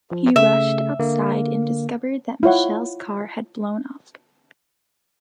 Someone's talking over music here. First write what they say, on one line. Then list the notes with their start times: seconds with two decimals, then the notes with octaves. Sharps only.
He rushed outside and discovered that Michelle's car had blown up.
0.12 F3
0.36 C#3 A3 E5
0.99 D3 A#3
2.43 E4 F4 C#5 F#5